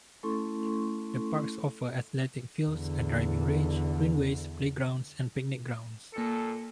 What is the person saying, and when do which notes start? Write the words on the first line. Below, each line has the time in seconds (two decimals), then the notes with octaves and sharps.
The parks offer athletic fields, a driving range, greenways, playgrounds and picnic grounds.
0.23 A3 C#4 E4 A4 C6 C#6
2.69 E2 D3
6.14 A#2 A#3 A4 C#7